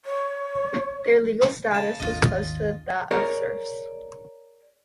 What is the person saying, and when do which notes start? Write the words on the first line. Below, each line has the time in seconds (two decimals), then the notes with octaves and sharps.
Their legal status was close to that of serfs.
0.04 C#5
1.71 C#3 A5
2.00 G#1 D#2 D4 F4 D#5
3.11 G#4 A#4 C#5 D5 A#5